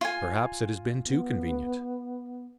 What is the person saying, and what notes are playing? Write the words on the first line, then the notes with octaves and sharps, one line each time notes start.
Perhaps it has been too convenient.
F4 G#5
B3